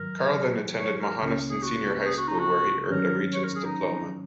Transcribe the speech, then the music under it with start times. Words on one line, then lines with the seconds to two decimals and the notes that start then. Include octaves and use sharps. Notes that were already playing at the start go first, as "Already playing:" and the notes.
Carl then attended Mohonasen Senior High School where he earned a Regents diploma.
Already playing: G#2 D#3 F#3 A#4
0.79 C#5
1.00 A#4
1.22 C#2 C#3 A#3 C#4 A#4
1.50 G#4
1.63 F#4
2.05 G#4
2.17 F#4
2.28 D#4
2.39 F#4
2.90 G#2 D#3 F#3 C#4 A#4
3.33 C#5
3.44 A#4
3.55 G#4
3.65 D#4